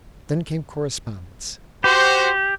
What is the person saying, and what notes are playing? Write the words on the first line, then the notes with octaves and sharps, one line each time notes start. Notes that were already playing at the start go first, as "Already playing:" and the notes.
Then came correspondence.
F#4 G4 C5